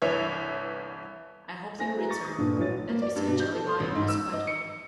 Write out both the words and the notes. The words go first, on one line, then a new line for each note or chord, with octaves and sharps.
I hoped in return that Mr. Jellyby was quite well.
G1 C2 E3 C#5 E5 G#6
A3 A4 C5 G#5 A#6
E4 F#4 G#4 B4 A#5
C#6 A6 A#6
D#6
G2 A#2 D3 B3
A1 E3 F#3 C#5 A6
A#3
D5
G2
B2
G6
A4
C6
A1
G#2
E6
D#5
C#7